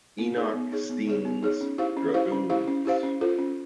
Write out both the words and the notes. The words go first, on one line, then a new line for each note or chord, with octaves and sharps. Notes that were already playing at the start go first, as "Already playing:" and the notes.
Enoch Steen's dragoons.
B3
D#4 G#4 C#5
B3
D#4 G#4 C#5
B3
D#4 G#4 C#5
B3
D#4 G#4 C#5
C#4
E4 G4 C5 F5
C#4
E4 G4 C5 F5
C#4
E4 G4 C5 F5
C#4
E4 G4 C5 F5
C#4
F4 A4 C5
C#4